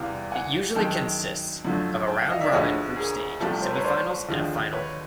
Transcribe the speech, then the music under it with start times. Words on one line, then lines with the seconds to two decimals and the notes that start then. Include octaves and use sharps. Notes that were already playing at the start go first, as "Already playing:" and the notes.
It usually consists of a round-robin group stage, semifinals, and a final.
Already playing: E2 C3 E3 G3 F5 G5
0.32 F#5 G#5
0.75 F#2 D#3 G#3 G5 A5
1.65 F#2 D3 F3 A3
2.08 G5 A5
2.19 E5 F#5
2.30 D#5 F5
2.41 D5 E5
2.52 D2 D3 F3 G#3 C#5 D#5
2.96 G#4 A#4
3.40 C2 C3 F3 A3 G4 A4
3.62 A#4 C5
3.73 B4 C#5
3.84 C5 D5
4.29 D#2 D3 F3 G#3
4.73 B4 C#5